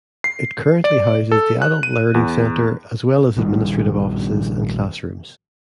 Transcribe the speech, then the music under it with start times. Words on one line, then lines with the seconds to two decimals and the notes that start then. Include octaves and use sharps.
It currently houses the Adult Learning Center, as well as administrative offices and classrooms.
0.24 C7
0.84 D5
1.32 A4
1.62 F#6
1.83 D#7
2.14 E2
3.37 A#1 D#3 G3